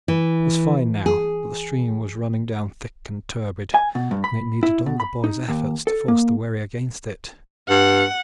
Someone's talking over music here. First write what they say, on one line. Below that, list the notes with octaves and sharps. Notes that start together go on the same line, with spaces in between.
It was fine now, but the stream was running down thick and turbid, and it needed all the boys' efforts to force the wherry against it.
E3
G#4
G#5
B2
G2
B5
E4
B2
B5
D#4
D#2
A4
A#3
G2 F#5